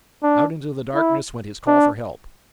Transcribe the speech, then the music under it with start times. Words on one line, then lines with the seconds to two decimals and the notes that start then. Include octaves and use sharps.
Out into the darkness went his call for help.
0.23 D4
0.95 E4
1.67 D4